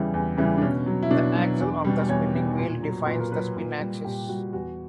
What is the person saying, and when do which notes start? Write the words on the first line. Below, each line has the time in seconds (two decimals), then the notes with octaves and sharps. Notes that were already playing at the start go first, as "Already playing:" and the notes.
The axle of the spinning wheel defines the spin axis.
Already playing: E2 C#3 E3 G3
0.14 E2
0.38 C#3 E3 G3
0.58 D4
0.62 B2 C#4
0.86 F#3
1.03 E4
1.11 B2 D4
1.35 F#3
1.60 E2
1.84 B2 G3
2.09 E2 C#5
2.33 B2 G3
2.58 A#2
2.83 F#3
3.06 A#2 B4
3.20 A#4
3.32 F#3 B4
3.56 A#2
3.80 G3
4.05 A#2 G4
4.29 G3 F#4
4.53 E2 F#4